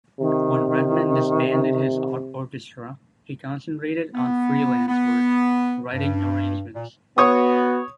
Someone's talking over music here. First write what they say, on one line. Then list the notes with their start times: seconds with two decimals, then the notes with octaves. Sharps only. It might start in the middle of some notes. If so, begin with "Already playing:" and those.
When Redman disbanded his orchestra, he concentrated on freelance work writing arrangements.
0.20 C3 D#3
4.14 B3
4.88 B3
5.94 G2
6.74 A#2
7.18 B3 F#4 C#5 C#6 D#6